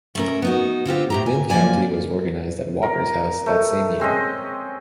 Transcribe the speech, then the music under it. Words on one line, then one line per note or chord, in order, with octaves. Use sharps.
McMinn County was organized at Walker's house that same year.
A3 C#4 A#4
B3 D#4 F#4
D3 C4 F4 G4
A2 G4 A#5
G#5
F#2 F3 A#3 D5 G#5
A#4
A3
G#3 C4 C#4 D#5